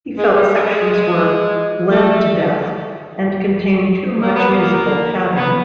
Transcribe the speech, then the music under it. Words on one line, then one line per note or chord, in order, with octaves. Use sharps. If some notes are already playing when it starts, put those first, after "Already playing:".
He felt sections were "bled to death" and contained too much musical padding.
G#3
G3
G#3
G#3
A3
A#3
B3
A#3
B3